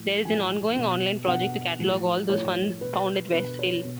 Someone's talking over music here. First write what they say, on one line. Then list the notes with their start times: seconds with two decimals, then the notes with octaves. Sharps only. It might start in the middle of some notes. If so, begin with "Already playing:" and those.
There is an ongoing, online project to catalogue all those found at West Hill.
Already playing: A2 F3
0.25 A2 F3 G#5
0.75 B2
1.27 B2 F#5
1.79 A2 F3
2.30 A2 F3 C#5
2.81 B2 B4
3.32 B2 B4
3.59 C#5
3.84 B2